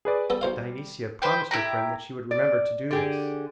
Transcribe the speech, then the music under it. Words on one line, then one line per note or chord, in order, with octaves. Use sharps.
Dionysia promised her friend that she would remember to do this.
G#4 B4 D5
G3 B3 A4
B1 C5 F5
B4 C5 G5
E4 G4 A#5
D5
D3 G4 G#4